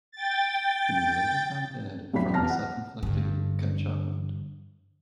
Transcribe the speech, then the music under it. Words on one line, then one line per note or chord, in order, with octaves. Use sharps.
He was later found dead from a self-inflicted gunshot wound.
G5 A6
E1 A1 F#3 B5 B6
D#1 E2 B3 A5 F6 A#6
F#5
G2 D3